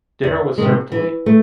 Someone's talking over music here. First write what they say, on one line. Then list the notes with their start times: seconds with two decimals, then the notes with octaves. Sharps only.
Dinner was served late.
0.24 E2
0.58 C3 D#3 G#3
0.92 E3
1.26 A3